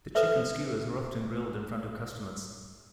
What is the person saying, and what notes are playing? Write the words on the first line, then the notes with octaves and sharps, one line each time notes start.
The chicken skewers are often grilled in front of customers.
A4 B4 C5 E5